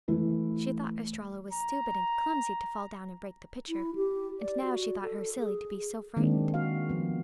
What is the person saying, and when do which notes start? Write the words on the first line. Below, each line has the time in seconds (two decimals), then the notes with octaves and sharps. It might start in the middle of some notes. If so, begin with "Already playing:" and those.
She thought Estralla was stupid and clumsy to fall down and break the pitcher, and now she thought her silly to be so frightened.
0.08 E3 A3 E4 B4
1.52 A#5
3.69 E4
3.96 G4
4.40 D5
4.63 F#4
5.03 A4
5.39 G#4
6.17 D#3 G#3 A#3 C4 D4
6.54 F#4 F5
6.89 F3 B3